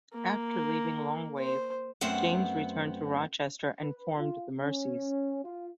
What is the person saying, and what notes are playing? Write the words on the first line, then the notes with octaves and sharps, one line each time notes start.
After leaving Longwave, James returned to Rochester and formed the Mercies.
A#3
C5
F#2 A3 B3 C4 C5 F#5
B4
F4
C#4
F4